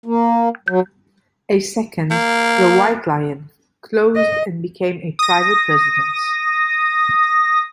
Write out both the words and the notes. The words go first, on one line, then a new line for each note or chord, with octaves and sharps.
A second, the White Lion, closed and became a private residence.
A#3
F#3
A#3
D#5
D#6 A#6